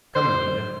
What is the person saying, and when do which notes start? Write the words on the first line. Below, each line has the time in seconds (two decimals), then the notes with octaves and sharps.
"Come, Anita."
0.15 C5